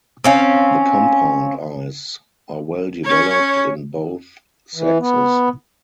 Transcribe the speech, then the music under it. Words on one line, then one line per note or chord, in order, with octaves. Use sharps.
The compound eyes are well developed in both sexes.
C4 C#4 F5
C#4 C#5
E3
B3